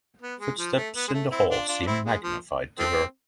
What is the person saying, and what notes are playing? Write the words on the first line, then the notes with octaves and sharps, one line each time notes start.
Footsteps in the hall seem magnified to her.
B3
G#3
F3
A3
B3
G#3
A3
C4 E4
D4 F4
D4 F4
D4
C4 E4
G#3
F3
F3 A3 C4